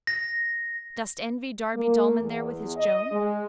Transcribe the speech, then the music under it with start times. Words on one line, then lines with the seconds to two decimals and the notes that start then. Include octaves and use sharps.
Dost envy Darby Dullman there with his Joan?
0.07 A#6
1.74 A#3
2.20 E2
2.76 D#5
3.11 G#3